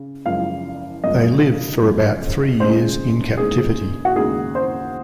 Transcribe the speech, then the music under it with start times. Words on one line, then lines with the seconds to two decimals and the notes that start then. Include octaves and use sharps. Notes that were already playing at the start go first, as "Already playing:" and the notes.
They live for about three years in captivity.
Already playing: C#3
0.26 F#2 C#3 F3 G#3 F5
1.04 F#2 C#3 F3 G#3 D#5
1.82 F#2 C#3 F3 G#3
2.60 D#2 C#3 G#3 C5
3.37 D#2 C#3 G#3 G#4
4.05 F#4
4.16 D#2 C#3 G#3 G#4
4.55 C5